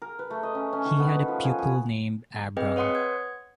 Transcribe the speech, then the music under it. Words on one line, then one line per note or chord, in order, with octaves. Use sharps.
He had a pupil named Abron.
A#4
B4
A3
D#5
C#4
C#4
D#3
B3
B4
F3
G#5
G#5
C4 G#4 B4 D#5 G5
B4 C#5 F#5 C6 D#6 C#7
G#6